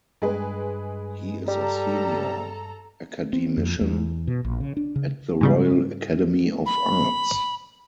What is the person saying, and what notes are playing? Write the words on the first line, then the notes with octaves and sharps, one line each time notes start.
He is a Senior Academician at the Royal Academy of Arts.
G2 G#3 G#4 B4
G3 A4 A#5
C4
F2
E2
B2
A#1
C#3
D4
C#3
G#2 C#3 G3
B5